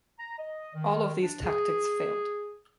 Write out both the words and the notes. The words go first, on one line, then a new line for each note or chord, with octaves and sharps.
All of these tactics failed.
A#5
D#5
D#3
D4
G#4